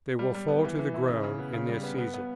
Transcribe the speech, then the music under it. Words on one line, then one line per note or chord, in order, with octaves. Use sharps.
They will fall to the ground in their season.
G3
G3
B3
E3
E3
E4
C#3
C#3
B3
C#3
G3
B3
B3
B3